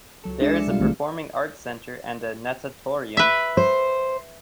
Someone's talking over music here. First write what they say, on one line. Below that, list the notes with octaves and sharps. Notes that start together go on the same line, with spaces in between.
There is a Performing Arts Center and a Natatorium.
C#2 F#3 A4
G#3 D4 G#4 E5 E7
D5 C#7
C3 G3 F4 F5
B1 D3 D#3 A3 C4
B4 E5
C5